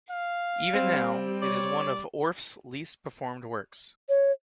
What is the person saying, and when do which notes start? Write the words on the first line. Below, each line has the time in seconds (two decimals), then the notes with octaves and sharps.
Even now, it is one of Orff's least performed works.
0.11 F5
0.74 G3 C4
1.42 C#5 D5
4.09 C#5